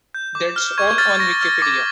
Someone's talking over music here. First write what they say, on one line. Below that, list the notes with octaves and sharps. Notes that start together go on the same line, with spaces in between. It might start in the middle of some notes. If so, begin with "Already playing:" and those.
That’s all on Wikipedia.
G6
D6
F6
C#6 G#6
G#6
F6 A6
C#6 A#6
F6
D6